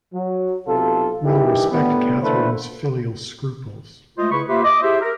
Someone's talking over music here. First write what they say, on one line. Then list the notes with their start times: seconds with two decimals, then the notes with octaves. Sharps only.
We’ll respect Catherine’s filial scruples.
0.13 F#3
0.67 B1 C3 F4 A4
1.25 G2 D#3 E3 E4 G4
1.71 A2 D3 G3 B3
2.22 D3 E3 A3 A#3 B4 C5
4.18 G#3 A3 F4 C5 D#5
4.32 C#3 E4 B4 B5 C#6
4.48 A#3 F4 G4 B4 C5 E5
4.64 D#5 D6
4.83 E4 G4 G#4 C5 E5
5.01 A#4